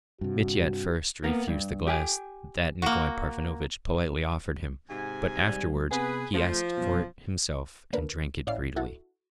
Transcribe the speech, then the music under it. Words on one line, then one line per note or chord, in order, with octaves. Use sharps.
Mitya at first refused the glass that Nikolay Parfenovitch politely offered him, but afterwards he asked for it himself and drank it greedily.
G2 C3 F#4
A#3 B3
G2
G4 G5 G#5
A#3 F#4
G#2 C3 G#5
G3
C3 B3 G#4 B4
F3 A3
F#2 B2
D3 A#3 D4 A#4 B4
A1 C#4 E4 D5 F5 C7
E4 F#4 A4